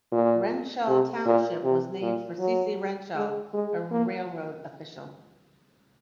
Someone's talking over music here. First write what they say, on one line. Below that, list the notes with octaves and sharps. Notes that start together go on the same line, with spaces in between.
Wrenshall Township was named for C. C. Wrenshall, a railroad official.
A#2
C3
A#2
C3
A#2
F#3
G#3
G#3
A#3